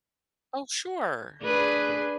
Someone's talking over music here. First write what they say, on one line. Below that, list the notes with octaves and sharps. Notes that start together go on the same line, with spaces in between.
Oh, sure.
D4 G#4 B4